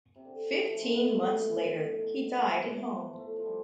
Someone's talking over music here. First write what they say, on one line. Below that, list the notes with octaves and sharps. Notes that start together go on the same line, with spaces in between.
Fifteen months later, he died at home.
C3
D3
E3
F3
A3
G3
A2
B2
A2
B2
A2
B2
B2
E3
F3
A3
F3
G3